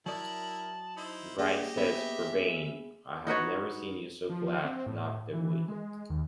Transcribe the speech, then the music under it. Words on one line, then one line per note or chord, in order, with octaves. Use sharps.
Right says Parvane. I have never seen you so glad, knock the wood.
F#3 E4 A#4 D5 A5 D#6 F#7
D#4 E4 C5
A#3 G4 G#4 D5 D#5 G#5
B3 E5
D#4 F#4 B4 C#5
F3
C4
A2
E3
G#3
D#2